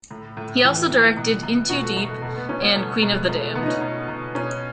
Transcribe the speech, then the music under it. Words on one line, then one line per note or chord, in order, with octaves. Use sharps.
He also directed "In Too Deep" and "Queen of the Damned".
A2
A2
E3
E3
B2
B2
B2 F#4
A3
B2
A3
B2 A3
B3
B2 C#4
B3
B2 A3
B2 G#3
B2 A3
A3
B2 B3
D#4
C#4
B2
B2
B2 C#4